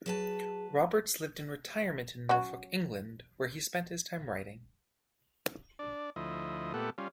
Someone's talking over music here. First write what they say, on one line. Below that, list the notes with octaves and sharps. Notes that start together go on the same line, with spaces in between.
Roberts lived in retirement in Norfolk, England, where he spent his time writing.
F#3 G#4 B4 A5
F#3 C#4 F#4
D4 D5
D2 F3 E4 D#5
A#2 A3 B3 G4 A4 F#5
G3 C#4 F4